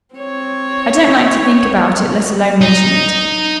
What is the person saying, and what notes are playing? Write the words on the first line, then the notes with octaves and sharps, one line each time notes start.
"I don't like to think about it, let alone mention it."
C4 C#5
D#4